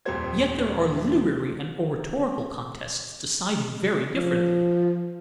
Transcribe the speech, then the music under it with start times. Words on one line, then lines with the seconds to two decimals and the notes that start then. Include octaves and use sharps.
Yet there are literary and oratorical contests decided very differently.
0.06 D#1 F2 G3 C4 C5 G#6
4.16 F3